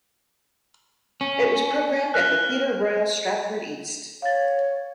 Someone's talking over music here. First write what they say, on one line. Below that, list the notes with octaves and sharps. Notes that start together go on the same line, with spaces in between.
It was programmed at the Theatre Royal Stratford East.
C#4
F6 F#6
C#5 F5 A6